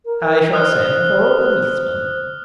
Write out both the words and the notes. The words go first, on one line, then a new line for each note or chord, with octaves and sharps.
"I shall send for a policeman."
A#4
C5 D#6 F6 F#6